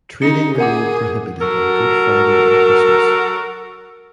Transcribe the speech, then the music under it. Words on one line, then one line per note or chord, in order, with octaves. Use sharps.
Trading remained prohibited on Good Friday and Christmas.
C#4 D#4 C#7
G#4 A#4 F#5 D6
F#3 F#4 A4 A#4